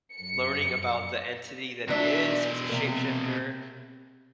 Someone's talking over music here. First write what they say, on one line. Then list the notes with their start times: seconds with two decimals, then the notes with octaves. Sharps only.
learning about the entity that he is, he's a shapeshifter,
0.15 F#2 C#7
1.89 B2 F#3 D4 E5
2.69 C3 A#3